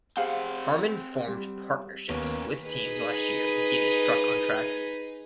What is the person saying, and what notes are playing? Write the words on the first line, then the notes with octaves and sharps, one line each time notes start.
Harmon formed partnerships with teams last year to get his truck on track.
C4 G4 G#4 C5 F5 F#5
G3
D#2 A#3 B3 C#4
D#4 G#4 B4